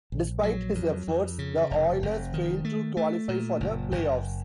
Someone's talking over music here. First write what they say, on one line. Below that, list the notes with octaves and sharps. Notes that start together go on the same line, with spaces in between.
Despite his efforts, the Oilers failed to qualify for the playoffs.
A#1
F#3
F2
F2
C#3
F1
F1
D#3
A3
A3
A#2
F#1
F#1